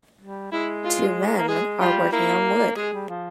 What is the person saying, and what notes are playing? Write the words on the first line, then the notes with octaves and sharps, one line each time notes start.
Two men are working on wood.
G3
G#3 E4
F4
A#3
G#3 G#4
G3 F4
A#3 E4
G#3 G#4
G3
F3